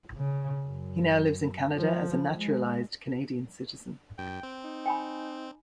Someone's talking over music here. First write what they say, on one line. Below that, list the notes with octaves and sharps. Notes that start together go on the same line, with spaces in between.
He now lives in Canada as a naturalized Canadian citizen.
C#3
F#2
F3
G#3
F#2 G5
C4
D#4
G5 G#5 B5